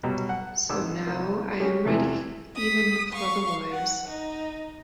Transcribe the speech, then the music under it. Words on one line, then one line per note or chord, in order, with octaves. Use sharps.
So now I am ready even for the lawyers.
B2 F#3 G3
F#5
G#1 D6 E6
C2
G#3 C#4 G4
E2 C3 E3 F3
D#6 B6
F5 C#6
F#5
D#4